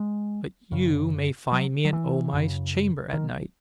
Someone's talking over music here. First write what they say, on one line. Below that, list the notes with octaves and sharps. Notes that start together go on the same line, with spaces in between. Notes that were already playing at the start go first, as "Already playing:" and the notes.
But you may find me in O-Mai's chamber at night.
Already playing: G#3
F#2 C#3
F#3
F#3
E3
F#2 C#3
D#3